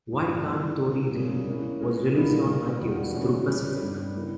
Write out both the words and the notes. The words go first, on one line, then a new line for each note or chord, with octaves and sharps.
"Y Kant Tori Read" was released on iTunes through Pacific.
G2 G3 B3 E4
G3 B3 E4 G4
A#3 E4 G#4
G3 A#3 C#4 G#4
A#3 C#4 E4
G#3 D#4 A#4
A#2 G3 B3 E4 A#4
G3 A#3 D#4 A#4
E2 B2 G3 A#3 D#4
E3 G#3 C#4 E4
G3 C#4 G4
G2 G3 B3 D#4
C#3 G3 B3 E4 A#4